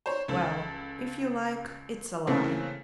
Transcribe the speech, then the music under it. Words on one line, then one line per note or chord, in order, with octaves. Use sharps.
Well, if you like, it's a lie.
C5 C#5
C#2 A4
C#3 E3 A3 A#3 C4